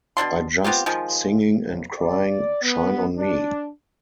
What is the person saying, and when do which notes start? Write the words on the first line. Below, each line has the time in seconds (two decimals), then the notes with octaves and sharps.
I just singing and crying 'Shine on Me'...
0.17 B2 F3 D4 C6
0.64 B3 C4 F4 G4
0.86 D#3 F3 G#3
1.62 B1
1.99 D5
2.63 B3
3.17 D4